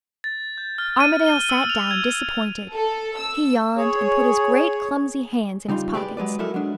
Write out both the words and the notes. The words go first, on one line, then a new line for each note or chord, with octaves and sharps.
Armadale sat down disappointed; he yawned, and put his great clumsy hands in his pockets.
A6
G6
F6
D#7
G7
E6
F7
G#6
E6
A4
E6
G#4 C#5
C#3 G3 D#4 F4
G4 G#4 B4 C#5 D5
F#3 G#3 B4 D5
G#3 E4 F#4 A4 A#4
F#3 G#3 D4